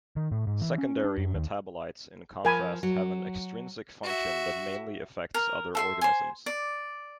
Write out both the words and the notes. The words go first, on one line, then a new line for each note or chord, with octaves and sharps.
Secondary metabolites in contrast have an extrinsic function that mainly affects other organisms.
D#3
A2
G#2
E3
C#4
D4
F#2
D#2
F3 A#4 G#5 B5
F#3
F#4 E5
A#4
A4 E5 C6
C5 G#5
D5